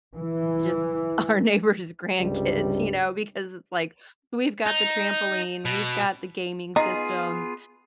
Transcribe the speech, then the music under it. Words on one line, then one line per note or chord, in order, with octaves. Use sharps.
just our neighbors' grandkids, you know, because it's like, we've got the trampoline, we've got the gaming systems
E3
C#2 G2 C3 G3
D#4
B2
B3 D#4 F4 G#4